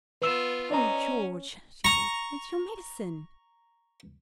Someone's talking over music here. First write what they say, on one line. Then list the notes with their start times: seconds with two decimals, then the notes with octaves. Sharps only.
"O George," she said, "it's your medicine!"
0.22 B3 F4 B4 E6 E7
0.71 C#4 D5 D#5 A#5
1.84 A#5 C#6